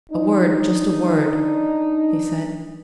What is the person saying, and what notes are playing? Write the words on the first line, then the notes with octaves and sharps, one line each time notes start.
"A word--just a word!" he said.
D4 D#4